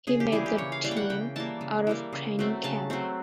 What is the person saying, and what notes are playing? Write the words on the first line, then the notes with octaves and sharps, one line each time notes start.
He made the team out of training camp.
C#3 G#4
G4
E3 G3 A#3 G#4
G4
C#3 C#5
F5
E3 G3 A#3 F5
G5
F#5
C#3 G5
E3 G3 A#3 A5
C#3
E3 G3 A#3
C#3
F#3 A3 C4
C#3 A5
F#3 A3 C4